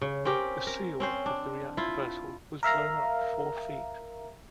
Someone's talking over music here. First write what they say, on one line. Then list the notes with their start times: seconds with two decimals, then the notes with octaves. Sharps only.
The seal of the reactor vessel was blown up four feet.
0.01 C#3
0.25 C4 C#4 G4 A#4
0.67 A#4
1.00 C4 C#4 C5
1.26 D4
1.77 E4 F4
2.63 A#4 E5 F5 A#5